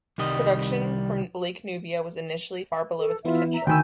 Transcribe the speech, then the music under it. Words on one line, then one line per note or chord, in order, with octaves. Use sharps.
Production from Lake Nubia was initially far below its potential.
C2 D#3 G3 D#5
A4
E3 B3 E4 F4 E5
E5 A#5
D2 D#3 G5 G#5 B5 E6 G6